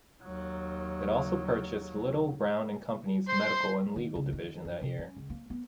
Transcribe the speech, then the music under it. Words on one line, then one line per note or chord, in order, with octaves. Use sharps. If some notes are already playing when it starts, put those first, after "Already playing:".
It also purchased Little, Brown and Company's medical and legal division that year.
D#2 F#3
C5 C6
D#3
C#2
D#3
F#2
C3
C#4
C#2
A#3
B3